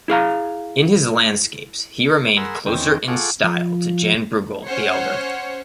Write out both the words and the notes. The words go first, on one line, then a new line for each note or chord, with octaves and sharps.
In his landscapes he remained closer in style to Jan Brueghel the Elder.
E4 G#4 F5 A#5
G#4 A#4 F#5 B5 C6 E6
E2 D#3 C4 C#4 G5
F4 G#4 A4 F#5 C#6 D6
F3
C#4 C5 C#5 F#5